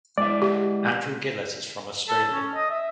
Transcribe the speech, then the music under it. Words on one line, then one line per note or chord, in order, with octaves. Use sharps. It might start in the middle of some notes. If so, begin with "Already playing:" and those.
Andrew Gillett is from Australia.
G#3 E4 D5 E5
G4
A4
C#4
D#5
E5